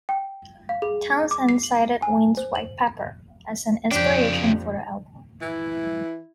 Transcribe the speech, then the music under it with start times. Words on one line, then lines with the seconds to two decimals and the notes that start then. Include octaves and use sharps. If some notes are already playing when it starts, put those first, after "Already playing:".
Townsend cited Ween's "White Pepper" as an inspiration for the album.
0.09 G5
0.69 F5
0.82 G#4
1.31 D6
1.49 C7
1.63 F#7
2.02 G#5
2.37 C5
2.55 F#7
3.91 F2 C#3 D4 G4 D5 G5
5.42 E3 E4